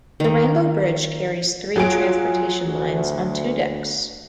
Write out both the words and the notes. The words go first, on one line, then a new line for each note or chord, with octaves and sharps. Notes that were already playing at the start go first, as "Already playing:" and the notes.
The Rainbow Bridge carries three transportation lines on two decks.
D#3 A#3
F#3 F4 G#4 D7
D2